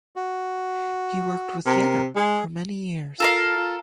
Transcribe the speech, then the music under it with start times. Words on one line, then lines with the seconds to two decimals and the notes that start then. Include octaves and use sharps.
He worked with Yener for many years.
0.16 F#4
1.66 C3 A#4
2.16 G#3 G#4
3.20 F4 A4 A#4 F5
3.57 F4